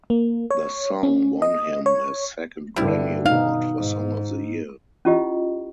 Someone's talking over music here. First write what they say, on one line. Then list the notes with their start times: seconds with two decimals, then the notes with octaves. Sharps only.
The song won him his second Grammy Award for Song of the Year.
0.10 A#3
0.51 C#5
1.03 C#4
1.42 D#5
1.86 C#5
2.76 G2 D3 G3 E4
3.25 B2 D#4 F5
3.78 G#2
5.05 C#4 E4 F4 G4 D#5